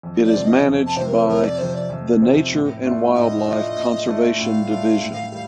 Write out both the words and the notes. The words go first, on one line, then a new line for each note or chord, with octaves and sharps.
It is managed by the Nature and Wildlife Conservation Division.
F2
D5
C3 F3 C4
D#5
F2
A5
C3 F3 C4 C5
A#4
F2 A#4
D5
C3 F3 C4 C5
D5
F2
C3 F3 C4
A2
A3 D4 F4
A2 D#5 F5
A3 D4 F4
A2
A3 D4 F4
A2 F5
A3 D4 F4
A2
G3